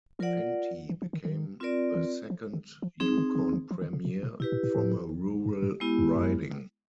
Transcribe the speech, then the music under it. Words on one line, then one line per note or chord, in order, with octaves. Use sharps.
Fentie became the second Yukon Premier from a rural riding.
F3 F4 A#4 D5 F#5
E3
F3
D#3
D#3
C4 F4 A#4 D5
E3
F3
D#3
F3
F3 C4 D#4 G#4
D#3
D3
F3
F3
D#3
C#3
C3
B2
B2 E4 G4 B4
A#2
A#2
A2
G#2
G#2
G#3 B3 E4 G4
F2
F#2